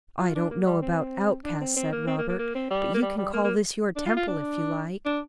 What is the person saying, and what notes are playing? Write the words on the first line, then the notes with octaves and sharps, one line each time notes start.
'I don't know about outcasts,' said Robert, 'but you can call this your temple if you like.
F4
D4
A#3
G3
C4
D4
C4
C4
A#3
C4
A#3
A#3
A#3
C4
G3
A#3
G3
G3
A#3
A#3
D4
F4
F4
D4
D4